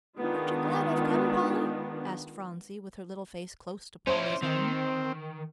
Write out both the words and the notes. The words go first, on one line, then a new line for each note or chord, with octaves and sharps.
"Aren't you glad I've come, Polly?" asked Phronsie, with her little face close to Polly's own.
D#3 G#3 B3 D4 D#4 F4
C#4 E4 C5
D#3 C4